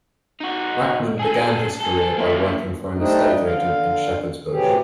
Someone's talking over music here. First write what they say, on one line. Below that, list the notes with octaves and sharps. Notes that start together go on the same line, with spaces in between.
Rachman began his career by working for an estate agent in Shepherd's Bush.
D#4 F#4
G#4 A4
G#4 A4
A#3 E4
G3 A3 C4 D4 D#4
D3 F5
A2 C3 E3 F#3 G4 G#4